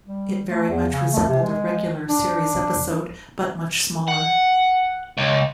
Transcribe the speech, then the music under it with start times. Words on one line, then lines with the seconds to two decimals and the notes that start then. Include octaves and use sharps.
It very much resembled a regular series episode, but much smaller.
0.05 G3
0.48 A3
0.69 E2
0.91 C#3
1.12 A3
1.28 C3
1.42 G#3
2.08 D4
4.08 F#5
5.17 C#2